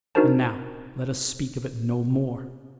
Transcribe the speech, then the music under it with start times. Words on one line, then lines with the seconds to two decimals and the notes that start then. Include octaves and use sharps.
And now let us speak of it no more.
0.15 D4 D#4 F#4 A#4 C5 A5